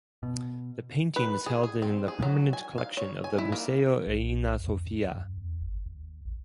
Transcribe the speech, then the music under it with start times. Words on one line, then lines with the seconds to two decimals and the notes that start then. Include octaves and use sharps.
The painting is held in the permanent collection of the Museo Reina Sofia.
0.23 B2
1.16 B4
1.46 G#4
1.63 G#4
1.82 C4
2.08 G#4
2.22 F#3
2.53 G#5
2.78 F5
2.97 C#5
3.24 G#5
3.38 E4
3.52 A#3
4.07 B1
4.59 F2
4.92 D#2
5.16 F#2
5.38 E2
5.61 G1
5.86 D#2
6.25 A1